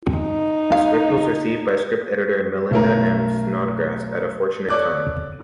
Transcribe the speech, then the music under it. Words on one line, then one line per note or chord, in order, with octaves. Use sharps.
The script was received by script editor Melinda M. Snodgrass at a fortunate time.
D#4
F5
B1 F#2 A3 E4 A#4
A4 C#5 D5 D6 F#6